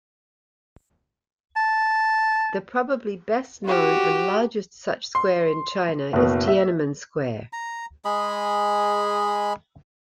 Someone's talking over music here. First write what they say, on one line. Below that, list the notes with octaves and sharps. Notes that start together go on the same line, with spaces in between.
The probably best-known and largest such square in China is Tienanmen Square.
A5
F#4 G4
C6
F#1 B2
E5
A#5
G#3 G#4 D#5 B5